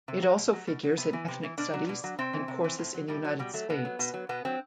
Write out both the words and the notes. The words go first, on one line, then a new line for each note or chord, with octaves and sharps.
It also figures in Ethnic Studies and courses in the United States.
C3
F#3
B2
F#3
B2
F#3
C3 B3
E3
C3
E3
B2 D4
F#3
B2
F#3
C3 C4
E3
C3
E3
A2
F#3
A2 G3
F#3
B2 G3
F#3 A3
B2 B3
F#3
B2
F#3
B2 B3
F#3 C4